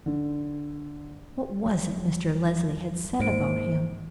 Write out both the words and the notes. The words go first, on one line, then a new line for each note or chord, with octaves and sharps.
What was it Mr. Leslie had said about him?
D3
E1 F#3 G3
G#2 A#3 C5 D7